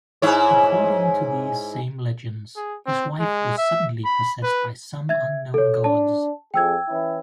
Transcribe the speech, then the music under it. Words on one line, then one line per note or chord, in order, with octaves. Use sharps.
According to these same legends, his wife was suddenly possessed by some unknown gods.
G#2 E4 C#5
G#4
C4
G#3
E5
B5
B4
E5 G#6
A4 C#5
D4 A5
F2 G#4 G5 E6 G#6
E3 C#4 E4